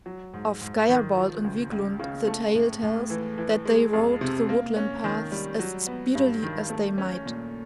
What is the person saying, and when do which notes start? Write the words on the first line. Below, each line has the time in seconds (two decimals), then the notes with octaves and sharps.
Of Geirbald and Viglund the tale tells that they rode the woodland paths as speedily as they might.
0.06 F#3
0.34 G#2
0.61 G#2
0.89 D#3
1.17 F3
1.44 C#2
1.72 C#2
1.99 C#3
2.27 A3
2.55 A2
2.83 A2
3.10 E3
3.38 E3
3.65 G#3
3.93 F2
4.21 C3
4.49 A#3
4.76 C#4
5.04 D#3
5.32 G3
5.59 F#3
5.87 B3
6.15 G2
6.43 D#3
6.70 A3
6.98 C#4
7.26 A#2